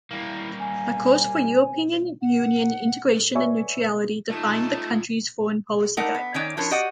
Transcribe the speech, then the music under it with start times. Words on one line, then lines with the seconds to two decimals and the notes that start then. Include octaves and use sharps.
A course for European Union integration and neutrality define the country's foreign policy guidelines.
0.11 G3 A#3 E4
0.59 G#5
2.21 F#5
3.34 B4 C#5 D5 E5 G#5 C#6
4.30 A3 D#4 F4 D#5 A5
5.97 A3 D#4 A#4 D5 F#5
6.14 B3
6.34 D#3 C#4 C#5 D5 G#5
6.57 F3 C#4 D4 E4 A#4 C#5
6.71 F#4 G4 D5 D#5 F#5